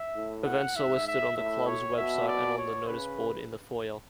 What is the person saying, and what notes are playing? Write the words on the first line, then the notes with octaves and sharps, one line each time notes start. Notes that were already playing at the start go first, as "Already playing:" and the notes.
Events are listed on the club's website and on the noticeboard in the foyer.
Already playing: E5
A2
F#5
G#2 E5
E5
A2 E5
C#5
B2 E5
D5
C#5
C#3 B4